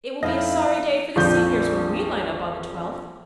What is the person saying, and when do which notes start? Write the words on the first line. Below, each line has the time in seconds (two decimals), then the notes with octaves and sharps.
"It will be a sorry day for the seniors when we line up on the twelfth."
0.23 F2 D#4 E4 D#5 F5
1.16 A#1 F2 F3 G6